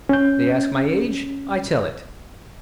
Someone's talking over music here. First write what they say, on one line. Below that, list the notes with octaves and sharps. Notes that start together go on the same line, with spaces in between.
They ask my age; I tell it.
C#4 G6